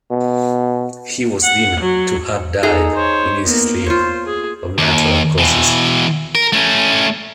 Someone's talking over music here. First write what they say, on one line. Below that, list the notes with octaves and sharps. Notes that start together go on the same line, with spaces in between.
He was deemed to have died in his sleep of natural causes.
B2
F#5
F#3
D#4 G#4 A4 A#5
C5 C#5
A#3 B3
F4 C5 C#5
G#4
D#2
B2 E3
A#4
A3 C#4